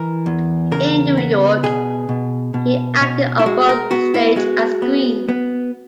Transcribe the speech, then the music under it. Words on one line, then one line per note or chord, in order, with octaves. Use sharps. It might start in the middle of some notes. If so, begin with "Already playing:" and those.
In New York, he acted on both stage and screen.
Already playing: E3 A#4
E2
C#3 A#4
B3
B2 G#4
B2
B2
B2
E4
G#3 F#4
A#4
B3 F#4
E4
G#3 F#4
B3
B3